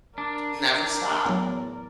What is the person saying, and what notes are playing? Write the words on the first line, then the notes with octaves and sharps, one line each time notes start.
Never stop.
D4 A#4 D5
E2 A2 F#3